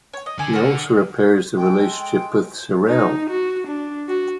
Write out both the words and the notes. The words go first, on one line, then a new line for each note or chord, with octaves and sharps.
He also repairs the relationship with Cerrelle.
C#5
D#5
D3 G#5
F#4 A#4
G#3 A4 G5
G5
D#4
F#4
D4
F#4